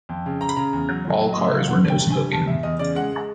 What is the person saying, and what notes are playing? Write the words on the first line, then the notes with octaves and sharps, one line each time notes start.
All cars were no-smoking.
F2
C#3
C#3 A#5
B5
C#3 A#5
E2
F#3
F#3
F#3
A2 D#5
E5
F#3 F5
G2 F#5
G2
G5
G2
G#5
G3
E2 A5
E2 E5
E2 D#5
C#3 D5
G#3 F#5
G#3